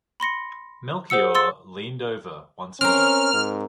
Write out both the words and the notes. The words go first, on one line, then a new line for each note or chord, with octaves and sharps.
Melchior leaned over once more.
B5 C6 A#6 C#7
G#4 C5 F#5 E6 C#7
C6 E6 A6 C#7
C4 C#4 A#4 F6
G#2